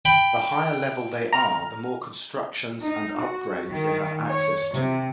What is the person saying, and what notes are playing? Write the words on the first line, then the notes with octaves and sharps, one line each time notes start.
The higher level they are the more constructions and upgrades they have access to.
G5 B5
A#5 F6
D#4
F#4
D#3
C#5
C3